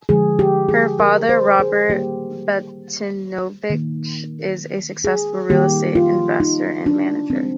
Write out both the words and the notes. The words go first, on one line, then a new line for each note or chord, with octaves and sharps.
Her father, Robert Batinovich, is a successful real estate investor and manager.
D3 F3 G#3 G#4
G4
G#4
A#4
C5
G#4
D#3 G3 A#3 G4
D#3 A#3
G#4
D#3 G3 A#3 G4
F4
D#4
D4
D3 F3 G#3 C4